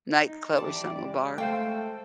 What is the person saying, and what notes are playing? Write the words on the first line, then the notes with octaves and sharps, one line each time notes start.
nightclub or something or bar.
D#4
E3 G4 D5 A5
G#3
A3 A4 C5 F5 G5